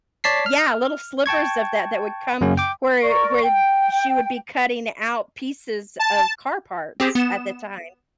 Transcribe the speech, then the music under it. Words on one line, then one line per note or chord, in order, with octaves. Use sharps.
Yeah, little slivers of that that would come where where she would be cutting out pieces of car parts at the time.
C#5 D5 A5 B6 C7
F6
G5 A5 C#6 G#6
F#2 C#3 A#3 C#4
G5 D6
A#4 D5 C#6
G5
A5
C4 G4 G#4 C5
B3 E7